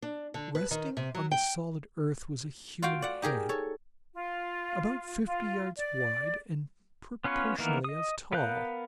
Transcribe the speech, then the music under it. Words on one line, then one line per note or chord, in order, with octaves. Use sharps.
Resting on the solid earth was a human head, about fifty yards wide and proportionately as tall.
D4
D3
B4
D#3
C3
F#3
G5
F4 F#4 F5 G5
D5 F#5
D#4 G4 G#4 A#4
A4 C#5
F4
F4
D5
B3 C#4 F4 B4 C#5
D#3 E3 A#3 B3 A#4
D#5 D#6
B3 A#4 F5 F#6 G6